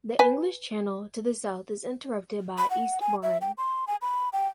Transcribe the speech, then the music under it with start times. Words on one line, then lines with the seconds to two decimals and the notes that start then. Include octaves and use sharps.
The English Channel to the south is interrupted by Eastbourne.
0.19 B4 G#5
2.58 B5
2.70 F#5
3.01 G#5
3.23 E5
3.41 G5
3.58 C6
3.87 G#5
4.02 B5
4.33 G5